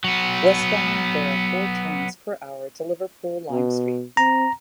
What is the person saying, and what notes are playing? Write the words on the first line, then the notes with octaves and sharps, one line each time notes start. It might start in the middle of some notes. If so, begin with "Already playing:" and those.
Westbound, there are four trains per hour to Liverpool Lime Street.
F#3 B3
B2
C4 A#5